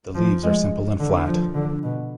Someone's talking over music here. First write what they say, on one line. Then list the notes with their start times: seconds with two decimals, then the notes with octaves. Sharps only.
The leaves are simple and flat.
0.15 F3
0.43 G#3
0.99 D3
1.26 F3
1.55 D3
1.83 B2